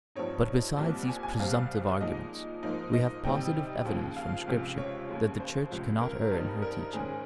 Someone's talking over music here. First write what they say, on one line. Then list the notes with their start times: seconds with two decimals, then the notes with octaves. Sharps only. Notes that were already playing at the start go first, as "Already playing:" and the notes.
But besides these presumptive arguments, we have positive evidence from Scripture that the Church cannot err in her teachings.
0.15 G2 F3 C4 D#4 C#5
0.78 C2 A#2 G3 C4
1.08 G#5
1.23 G#5
1.39 C2 C3 G3 C4 F5
2.01 A#2 F3 G#3 D#4 D#5
2.63 G#2 F3 A#3 D#4
2.93 D#5
3.24 C3 G3 C4 D#4 G5
3.85 D#2 C#3 F3
4.17 F5
4.47 C#2 C3 F3 G#3
4.78 C#5
5.09 D#2 C#3 G#3
5.40 C5
5.71 C#2 C3 F3
6.01 A#4
6.31 G2 G3 C4 D#4
6.62 A#4
6.93 G#2 D#3 G#3 C#4 G#4